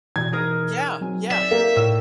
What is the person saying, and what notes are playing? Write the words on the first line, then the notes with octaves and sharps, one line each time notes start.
Yeah, yeah.
B2 E3 G#6
D#4 G#4 A#4
F#3 C4 G#5
D5 E5 G6
A#3 G5
A2 E6 E7